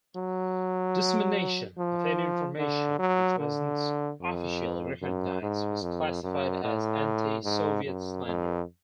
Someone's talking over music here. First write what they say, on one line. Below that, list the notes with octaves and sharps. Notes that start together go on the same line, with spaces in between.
Dissemination of any information which was not officially recognized was classified as "Anti-Soviet slander".
F#3
F3
D3
F#3
D3
F2
F#2
G#2
F2
F#2
A2
G#2
F#2
F2